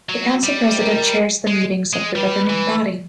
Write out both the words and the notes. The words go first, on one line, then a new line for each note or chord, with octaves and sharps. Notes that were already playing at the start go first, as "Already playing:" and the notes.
The Council President chairs the meetings of the governing body.
F#3
G3
A#4
G#3
G#3
G3 B4
E3